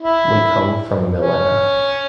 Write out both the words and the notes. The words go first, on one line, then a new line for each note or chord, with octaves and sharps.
We come from Millena.
E4
C#4